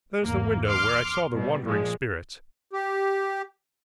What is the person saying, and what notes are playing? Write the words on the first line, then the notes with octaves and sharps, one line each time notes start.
There's the window where I saw the wandering Spirits!
G#1 E2 A#3
C6 D6 F6
B2 G3
A#2 F3 G#3
G4